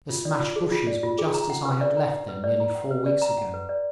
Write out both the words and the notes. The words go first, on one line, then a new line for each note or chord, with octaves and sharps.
The smashed bushes were just as I had left them nearly four weeks ago.
F4
D5
F4
G#4
F4
D5
F4
G#4
A#5
F#5
B4
D5
A#5
F#5
B4
D5
A#5
F#5
B4
D5
A#5
F#5
B4
D5